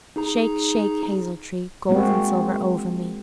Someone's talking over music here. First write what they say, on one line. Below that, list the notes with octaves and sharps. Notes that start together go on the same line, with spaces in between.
"Shake, shake, hazel tree, Gold and silver over me!"
D#4 G#4 A#5
G#3 A#3 C4 F#4